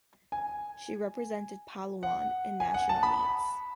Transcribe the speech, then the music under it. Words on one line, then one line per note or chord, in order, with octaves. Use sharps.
She represented Palawan in national meets.
G#5
F#5
G#5
F#5
A5
B5